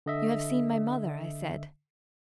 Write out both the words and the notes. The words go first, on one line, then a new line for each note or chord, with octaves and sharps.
"You have seen my mother," I said.
D3 D#5 E5